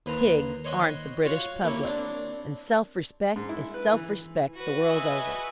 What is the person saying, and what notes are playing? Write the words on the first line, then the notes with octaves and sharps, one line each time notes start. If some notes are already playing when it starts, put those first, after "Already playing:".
Pigs aren't the British public; and self-respect is self-respect the world over.
D#2 B4 C5 A#5
C5 C#5 D#5 F#5 G5
F4 F#4 C#5 F5
A#3 E4 G4 C#5
C4 D4
G#2
E4
B4
E3
F#4 B4
D#5 E5 G#5